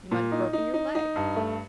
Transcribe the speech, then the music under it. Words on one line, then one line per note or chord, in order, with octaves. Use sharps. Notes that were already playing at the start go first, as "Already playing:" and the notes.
You might have broken your leg.
A#2
D#4
D#4
D#4
D#4
G2
A3